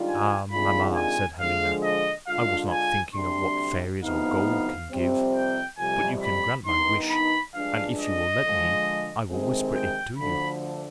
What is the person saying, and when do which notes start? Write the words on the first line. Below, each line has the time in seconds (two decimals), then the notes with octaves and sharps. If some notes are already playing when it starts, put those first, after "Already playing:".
"Ah, mamma," said Helena, "I was not thinking of what fairies or gold can give; but you can grant my wish, and if you will let me, I will whisper it to you."
Already playing: G#2 D#3 G3 D4 F4
0.09 G#5
0.52 C3 D#3 G#3 D4 F4 B5
0.96 G#5
1.40 D3 F3 G#3 F5
1.83 D#5
2.27 D3 G#3 D4 F4 F5
2.71 G#5
3.15 D2 C3 G3 D4 C6
4.03 D2 C3 F3 B3 D#4 F5
4.92 F2 C3 G3 C4
5.35 G5
5.78 F2 C3 G3 G#5
6.23 B5
6.66 G2 D#3 B3 D#4 C6
7.10 B5
7.55 G2 F3 G#3 D4 F5
7.99 D#5
8.43 D3 F3 G#3
9.30 D2 C3 D#3 G#3 C4
9.75 G5
10.18 D2 D3 F3 B5